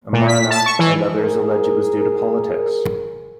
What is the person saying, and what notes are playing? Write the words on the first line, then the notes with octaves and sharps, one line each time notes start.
Amarnath and others allege it was due to politics.
A#2
B6
A5
C#6
E3
G#4 A#4